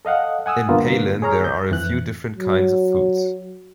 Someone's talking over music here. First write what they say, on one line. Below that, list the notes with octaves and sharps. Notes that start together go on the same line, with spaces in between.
In Pailin, there are a few different kinds of foods.
A4 D#5 F5 F#5
F#5 G#5 D#6 E6
G2 D3 A#3 B3 F4
G#4 C#5 A#5 F6
G6
F2 E3 F#6
F#3